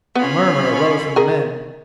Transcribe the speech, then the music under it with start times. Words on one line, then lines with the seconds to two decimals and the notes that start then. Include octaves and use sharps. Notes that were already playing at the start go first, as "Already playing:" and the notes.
A murmur arose from the men.
0.15 B3 C#4 F4 B5
1.16 G#4 A#4